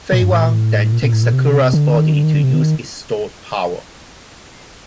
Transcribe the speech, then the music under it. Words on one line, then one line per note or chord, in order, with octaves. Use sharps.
Fei-Wang then takes Sakura's body to use its stored power.
A#2
G2
A2
A#2
A2
A#2
A#2
A2
A#2
C3
D3
D#3
D3
D#3
D3
C3
D#3